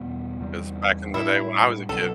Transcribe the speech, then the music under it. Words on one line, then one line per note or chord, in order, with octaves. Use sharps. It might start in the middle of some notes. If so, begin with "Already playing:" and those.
'Cause back in the day when I was a kid,
Already playing: E2 B2 G3 B3
E2 C3 G3
A2 G3 D4 E4
C2 B2 F#3 A4